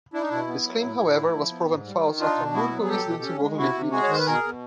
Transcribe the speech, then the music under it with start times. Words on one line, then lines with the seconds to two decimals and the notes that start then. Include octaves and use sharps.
This claim, however, was proven false after multiple incidents involving leaked images.
0.14 D4 E4
0.21 D#4
0.30 B2 E4
0.48 B3
0.65 F#3
0.83 A2
0.99 A2
1.17 A3
1.34 F3
1.51 B3
1.68 G#2
1.86 G3
2.03 D#3
2.20 D4 D#4 F4
2.37 B2
2.54 B3 E4 F#4
2.71 F#3
2.84 G#4
2.89 B2 G4 A4
3.06 B2
3.23 C#4
3.40 G#3
3.58 C3 E4 F#4
3.75 C3
3.91 G#3 F#4 G#4
4.03 C#5
4.09 D#3 C5
4.19 B4
4.26 B2 G#4 A#4
4.43 B2